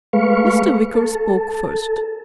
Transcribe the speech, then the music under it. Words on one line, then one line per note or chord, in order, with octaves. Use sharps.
Mr. Wicker spoke first.
G#3 A3 B4 F5 C#6
A4